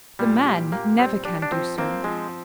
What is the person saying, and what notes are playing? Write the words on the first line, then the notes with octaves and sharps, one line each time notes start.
The man never can do so.
A#2 G3
G4
A#3 G4
G3 C4
D4 G4
D4
F3 C4
A#3 C4
F3 G#3